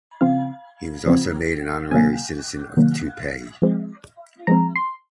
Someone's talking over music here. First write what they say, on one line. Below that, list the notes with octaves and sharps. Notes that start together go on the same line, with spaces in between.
He was also made an honorary citizen of Taipei.
C#3 F3 C4 F5
C#3 F3 C4
C3 D#3 F#3 A#3 G#5
C3 D#3 F#3 A#3
F3 G#3 C4
F3 G#3 C4 A#5
C6